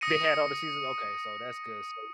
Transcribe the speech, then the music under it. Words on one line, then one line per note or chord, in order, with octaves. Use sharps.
They had all the seasons? Okay, so that's good, so
D#6 A#6 C#7 D#7